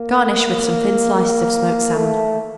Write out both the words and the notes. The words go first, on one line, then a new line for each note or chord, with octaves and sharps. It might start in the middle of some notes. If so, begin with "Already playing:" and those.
Garnish with some thin slices of smoked salmon.
Already playing: A#3
A#3
A3